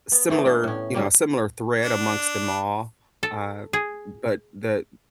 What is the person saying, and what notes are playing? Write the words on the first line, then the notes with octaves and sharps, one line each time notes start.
similar you know, similar thread amongst them all, uh, but the
B3
E3 A3 B3
D4
A2 C#4
D3 F#3 G3 A#3
D4
A4
G#4